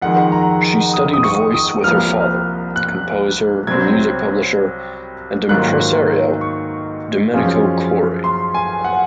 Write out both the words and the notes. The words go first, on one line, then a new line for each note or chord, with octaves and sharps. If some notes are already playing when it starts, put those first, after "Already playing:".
She studied voice with her father, composer, music publisher, and impresario Domenico Corri.
F2 D#3 G#3 F#5
A#5
D#6
D#6
C#6
D#6
C2 C3 F3 A#3 F6
F#6
C2 C3 F#3 C4 G#6
G#2 D#3 F#3 A#3 F4 F#6
C#6
F#2 F3 G#3 C#4 F4
C6
G#5
F#5